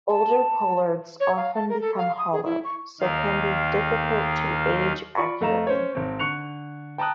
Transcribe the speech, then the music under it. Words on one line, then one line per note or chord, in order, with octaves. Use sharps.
Older pollards often become hollow, so can be difficult to age accurately.
A5
C#5
F5
A5
A#4
A4
F5
D#6
G#4
E4
C#6
D#2 D#3 F5
F4 D5 B5 C#6
F2 A3 D#5 F5 A#5 E7
C#4 C5 C#5
G#1 C4
D3 C#6 F#6 C#7 F7
G5 A5 A#5 D#6 F#6